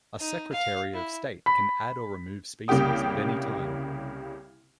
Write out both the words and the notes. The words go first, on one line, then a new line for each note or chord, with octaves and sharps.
A secretary of state can add or remove species at any time.
D#4
F5
E4
B5
C2 C#3 A#3 G4 G5 D#6